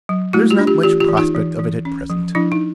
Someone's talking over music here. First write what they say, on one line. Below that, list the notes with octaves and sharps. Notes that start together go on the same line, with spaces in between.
There is not much prospect of it at present.
F#3
A3 E4 F#4
F4 G4
D4
F4 G4
E3 F4 G4
F4 G4
E3
D#4 F4
E3
E3
C#4
F3
F3 D4 E4
D#4